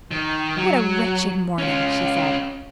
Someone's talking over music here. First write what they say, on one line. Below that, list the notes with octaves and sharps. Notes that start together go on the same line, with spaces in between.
"What a wretched morning!" she said.
D#3
F#3
C#4 F4